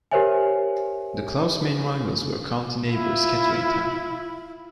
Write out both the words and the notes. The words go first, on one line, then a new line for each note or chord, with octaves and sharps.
The club's main rivals were county neighbours Kettering Town.
G4 A#4 C5 C#5 E5 G#5
E4 F4